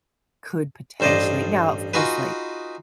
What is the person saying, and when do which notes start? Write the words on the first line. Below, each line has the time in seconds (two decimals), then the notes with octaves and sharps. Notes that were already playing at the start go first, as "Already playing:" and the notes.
could potentially now, of course, like,
1.00 A1 G2 C5 D5 D#5
1.94 D#4 F4 F#4 G#4 B4